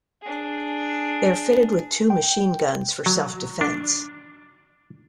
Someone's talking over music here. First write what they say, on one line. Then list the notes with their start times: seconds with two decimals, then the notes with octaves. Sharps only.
They are fitted with two machine guns for self-defence.
0.22 D4 G#4
2.10 G5
3.06 F#3
3.61 D4